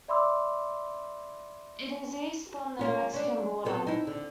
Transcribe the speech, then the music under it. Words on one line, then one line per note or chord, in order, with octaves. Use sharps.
It is east from the Mexican border.
D5 E5 B5 C6 D6 E6
A#3 C#4 F4
C#4 D4
B3 C4 A4
D#4 E4
D3